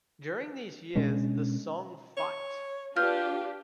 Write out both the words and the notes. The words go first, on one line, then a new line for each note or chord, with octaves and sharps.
During these years, the Song Fight!
B2 G#3 C#4 D4
C#5
D4 F4 G4 B4 F6 G6